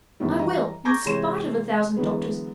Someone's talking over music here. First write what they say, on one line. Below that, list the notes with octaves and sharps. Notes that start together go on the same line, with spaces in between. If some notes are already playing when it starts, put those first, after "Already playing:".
I will, in spite of a thousand doctors.
F#2 B2 D#3 E3 F#3 G3
E3 G3 D#5 A#5
A#5 C#6 D6 G6 G#6 A#6
C3 E3 G#3 C#5 C6 E7
D3 E3 F#3 G#3 B3